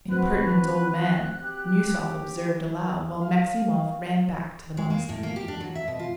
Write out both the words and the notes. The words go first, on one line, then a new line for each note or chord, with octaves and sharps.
"Impertinent old man!" Miuesov observed aloud, while Maximov ran back to the monastery.
C4 F#4 B4 C5 F#6
G4
F5
G#3
A#3
A2
A#3
G4
D4
F#3
E5
B2
F4